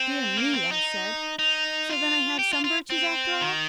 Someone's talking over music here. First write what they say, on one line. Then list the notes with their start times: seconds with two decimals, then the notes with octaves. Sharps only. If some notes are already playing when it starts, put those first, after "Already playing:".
"Dear me!" I said, "so then I have some virtues after all!"
Already playing: C4
0.37 A#3
0.54 C4
0.72 D#4
1.39 D#4
1.89 F4
2.39 G4
2.53 F4
2.64 F4
2.90 C4
3.41 D#3